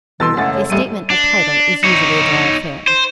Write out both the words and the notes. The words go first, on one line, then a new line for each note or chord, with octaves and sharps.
A 'statement of title' is usually a dry affair.
C2 B2 E3 A4 C6 E6 A6
F#2 C#3 G#3 A3 F#5 A6
C#5
A1 G3 A3 D#7
D4
D#4 C#5
C5